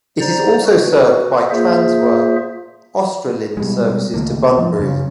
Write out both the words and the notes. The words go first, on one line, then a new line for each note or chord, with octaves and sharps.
It is also served by Transwa "Australind" services to Bunbury.
C5 D5 A#5
F#4 B4
A#3 F4 G#4 C5 E5
B2 G3 G#3
C#2 D#3 A3 A#3
F3
F#2 C#3 A#3 C#4